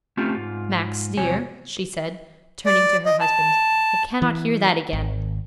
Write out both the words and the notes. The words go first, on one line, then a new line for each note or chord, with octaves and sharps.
Max, dear,' she said, turning to her husband, 'I cannot hear that again.
A3 C4 C#4 F4 G4
G#2 F4
E2 C3 F#3 C#5 G#5
D5
D#5
A5
E3
G#1